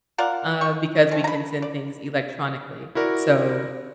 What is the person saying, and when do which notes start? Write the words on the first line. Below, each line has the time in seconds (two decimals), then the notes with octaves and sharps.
uh, because we can send things electronically." So,
0.18 F4 A#4 D5 F#5
0.61 C#6
1.11 A3 C4
1.24 A#5 B5
1.62 D5
2.95 E4 F#4 A#4 D5